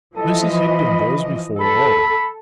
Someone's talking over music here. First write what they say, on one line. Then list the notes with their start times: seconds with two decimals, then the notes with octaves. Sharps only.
Mrs Higden goes before all.
0.16 E3 F3 A4 D#5
0.55 B5
1.61 A4 B5